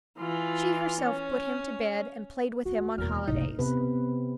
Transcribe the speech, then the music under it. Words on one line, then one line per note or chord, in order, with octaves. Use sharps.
She herself put him to bed and played with him on holidays.
E3 F4
C#4
D#2 F#4
F#1 E2 B2 A#4 F6
F#1 C2 A2 D#4
C3 B3 B4